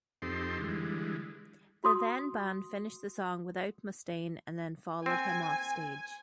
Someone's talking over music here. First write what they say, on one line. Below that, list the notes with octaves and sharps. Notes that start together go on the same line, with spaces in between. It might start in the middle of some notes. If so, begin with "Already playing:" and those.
The then band finished the song without Mustaine, and then followed him offstage.
F2 C4 D#4 G4 A4 C6
D3 E3 G3 G#3
F#4 C6 D#6
C4 G#5